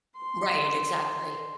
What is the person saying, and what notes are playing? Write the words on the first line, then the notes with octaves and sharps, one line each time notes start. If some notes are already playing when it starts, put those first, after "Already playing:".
Right, exactly.
C6